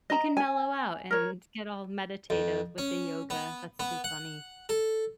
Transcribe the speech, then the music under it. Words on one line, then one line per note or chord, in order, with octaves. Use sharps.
you can mellow out and get all meditative with the yoga, that's too funny.
D#5 A#5
G#5
A#4 C#5
F2
C#4
B3
B3
F#5
A4